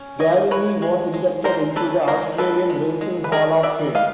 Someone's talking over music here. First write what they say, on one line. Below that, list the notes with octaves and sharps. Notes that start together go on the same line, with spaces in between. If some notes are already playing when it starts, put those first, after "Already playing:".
Galilee was inducted into the Australian Racing Hall of Fame.
Already playing: C#4
G#3 C#5 D#5
E4 B4 C#5
G#3
G#3
G#3 A#4 C5
C#4 A4 B4
G#3 A#4 C5
G#3 A4 B4
G#3
G#3
B4
D4 G#4 A#4
B3 D5 E5
B3 D#5 F5